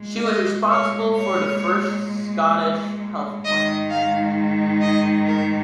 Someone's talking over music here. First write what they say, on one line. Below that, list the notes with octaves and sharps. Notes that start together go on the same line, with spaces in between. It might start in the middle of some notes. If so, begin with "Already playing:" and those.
She was responsible for the first Scottish Health Plan.
Already playing: A#2 G#3
D#5
C#5
C#5
G#2 D#3 G#3 D#5
F5
D#5
A#4